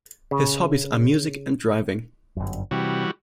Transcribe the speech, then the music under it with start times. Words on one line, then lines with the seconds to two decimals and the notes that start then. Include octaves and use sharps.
His hobbies are music and driving.
0.31 C#3
2.36 G1 F#2
2.71 C3 E3 G3 F#4